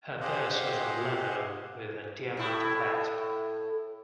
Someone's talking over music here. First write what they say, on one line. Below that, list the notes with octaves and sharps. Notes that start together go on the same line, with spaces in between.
Her purse was of leather, with a diamante clasp.
G4 G#4 C5 D#5 F5 F#5
A2 E4